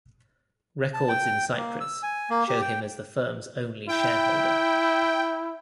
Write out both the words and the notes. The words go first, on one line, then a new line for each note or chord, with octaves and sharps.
Records in Cyprus show him as the firm's only shareholder.
A5
G5
A#3
E6
G#5
A#3
G4
G5
E4 G5